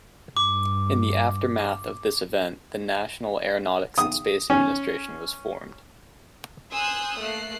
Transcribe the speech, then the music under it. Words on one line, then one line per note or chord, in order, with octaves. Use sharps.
In the aftermath of this event, the National Aeronautics and Space Administration was formed.
G2 D6
D#6
C#4
G#5 C6 D#6 E6 F#6 G6
A3 A#3 F#6 C7